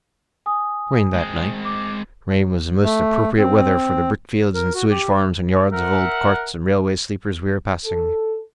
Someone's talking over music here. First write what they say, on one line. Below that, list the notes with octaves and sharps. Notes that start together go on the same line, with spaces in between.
It rained that night; rain was the most appropriate weather for the brickfields and sewage-farms and yards of old carts and railway-sleepers we were passing.
G#5 D#6
G#3 C4
D6
A3
C4
A#4
F#4
G4
A#4 E5 F#5
A4